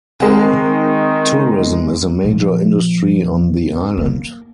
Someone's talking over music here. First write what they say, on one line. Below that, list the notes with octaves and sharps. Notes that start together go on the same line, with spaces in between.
Tourism is a major industry on the island.
D#3 G#3 C4 D#4 A#4
A#2 F3
A#3